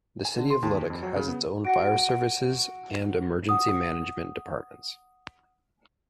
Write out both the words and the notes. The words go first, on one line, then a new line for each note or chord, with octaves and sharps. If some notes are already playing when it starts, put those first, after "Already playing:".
The City of Leduc has its own fire services and emergency management departments.
G#5
D3
C6
D#2
F2
F#3
C#3
B3
F#4 F#5 A#6 D7
F#5 D#6